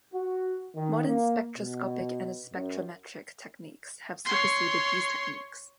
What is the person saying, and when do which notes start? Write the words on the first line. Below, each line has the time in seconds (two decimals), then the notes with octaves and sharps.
Modern spectroscopic and spectrometric techniques have superseded these techniques.
0.13 F#4
0.74 D#3
1.06 A#3
1.56 B2
2.52 F#2
4.25 C#5 C6